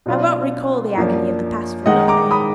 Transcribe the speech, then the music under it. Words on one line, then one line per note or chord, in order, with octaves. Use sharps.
I won't recall the agony of the past for nothing.
B2 F#3 D4 F4
F#2 F3 A#3 D4
D#3 G#3 D#4 D#5 F#5
A#5 D6
B5 D#6